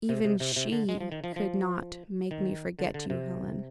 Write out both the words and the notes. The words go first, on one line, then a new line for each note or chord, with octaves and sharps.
Even SHE could not make me forget you, Helen.
C3
C3
C3
C3
D3
G#3
F3
D#3
F3
F3
D#3
D3
D3
C3